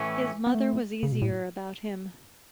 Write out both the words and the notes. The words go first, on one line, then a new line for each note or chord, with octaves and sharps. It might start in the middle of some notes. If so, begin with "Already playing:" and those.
His mother was easier about him.
Already playing: A2 E3 A3 C#4
B3
A3
C#3
B2
A2